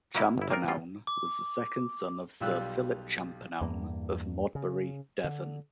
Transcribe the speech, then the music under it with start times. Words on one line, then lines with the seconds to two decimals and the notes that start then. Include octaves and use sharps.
Champernowne was the second son of Sir Philip Champernowne of Modbury, Devon.
0.15 F#3 A#3 D#4 E4
0.38 G1 E4
0.50 A#3 C4 D#4 F4 A#4
0.68 G3 C4 C#4 F4
1.07 D6
2.40 B1 G3 F4 E6 F#6
3.61 E2 G2 A#3
4.55 C#3
5.24 D3